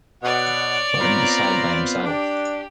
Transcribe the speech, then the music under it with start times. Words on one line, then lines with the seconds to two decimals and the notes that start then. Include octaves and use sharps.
Let him decide by himself.
0.23 B2 C#5 D5 F#5
1.01 B3 C4 F4 A#5
2.04 D4 G4